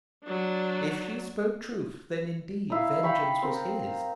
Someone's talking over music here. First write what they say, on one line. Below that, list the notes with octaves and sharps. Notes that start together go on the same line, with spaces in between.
If she spoke truth, then indeed vengeance was his!
F#3 D4
D#4 E4 F5
F5 G5 B5 C#6
C4 A#4